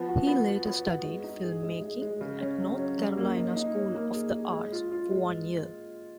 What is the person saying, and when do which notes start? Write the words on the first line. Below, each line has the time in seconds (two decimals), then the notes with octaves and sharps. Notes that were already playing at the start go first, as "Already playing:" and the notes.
He later studied filmmaking at North Carolina School of the Arts for one year.
Already playing: F3 B3
0.08 F#4
0.27 B3
0.47 F#4
0.65 B3
0.85 F#4
1.04 G#3
1.24 D#4
1.43 G#4
1.63 G#3
1.82 G#3
2.02 G#3
2.21 C#3
2.40 C#4
2.60 F#3
2.79 C#4
2.98 F#3
3.17 A#3
3.37 D#4
3.57 D#4
3.75 C#5
3.95 A#3
4.14 G#4
4.33 G#4
4.53 G#3
4.72 F4
4.91 F4
5.11 G#3